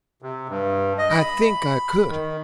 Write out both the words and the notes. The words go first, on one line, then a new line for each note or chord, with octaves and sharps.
I think I could.
C3
G2
D#5
B5
D#3